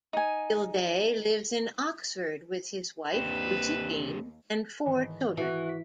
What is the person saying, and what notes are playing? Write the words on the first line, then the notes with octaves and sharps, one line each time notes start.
Gildea lives in Oxford with his wife, Lucy-Jean, and four children.
D#4 G#5
D#2 C4 D4 G4 B4 E7
G#1 D#3 E3
E3 F#4
B6